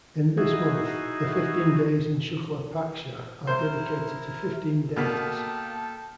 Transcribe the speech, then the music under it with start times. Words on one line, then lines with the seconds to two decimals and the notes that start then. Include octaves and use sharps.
In this month, the fifteen days in Shukla paksha are dedicated to fifteen deities.
0.38 D#4 E4 F#4 G#4
3.47 E4 A#4 C5
4.96 B2 A#3 A4 G5 A5 F6 B6